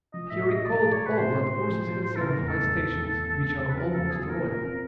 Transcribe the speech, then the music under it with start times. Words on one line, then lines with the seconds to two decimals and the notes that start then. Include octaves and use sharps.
He recalled all that Ursus had said of high stations which are almost royal.
0.13 F3 D#5
0.31 A2 E5
0.49 A2 D#5
0.65 A2 D5
0.84 A2
0.92 C#5
1.00 A2
1.07 B4
1.18 A2 C5
1.34 A2
1.43 C5
1.53 A2
1.69 F3
1.86 F3
2.05 A2
2.16 A4
2.21 C#3 A#4
2.39 E2
2.48 A4
2.56 E2
2.73 E2
2.90 E2
3.07 E2
3.25 E2
3.43 E2
3.59 C#3
3.69 B4
3.77 F#3 A#4
3.94 E2 A4
4.11 F#3 G#4
4.24 A4
4.28 A#2 A#4
4.46 A#2
4.63 C4